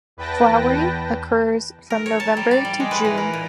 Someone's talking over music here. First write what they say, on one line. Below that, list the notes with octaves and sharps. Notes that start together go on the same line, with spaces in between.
Flowering occurs from November to June.
E2 B4 G5 A5 A#6
A#4
C#5
A5
G3
D5
G3
G#3
B4
E3
A#4
A#2